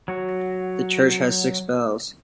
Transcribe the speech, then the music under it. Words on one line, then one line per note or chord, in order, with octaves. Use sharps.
The church has six bells.
F#3 F#4